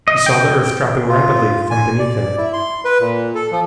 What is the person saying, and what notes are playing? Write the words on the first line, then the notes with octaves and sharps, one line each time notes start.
He saw the earth dropping rapidly from beneath him.
D#5
G5
F4
G#5
D5
E4
C6
B4
A#2
A4
F3